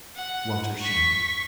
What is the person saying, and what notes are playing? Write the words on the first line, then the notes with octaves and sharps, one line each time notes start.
Walter Shandy.
F#5
C#6 B6